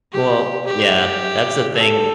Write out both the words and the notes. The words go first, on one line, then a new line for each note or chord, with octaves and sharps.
Well yeah, that's the thing.
G4
G4
A4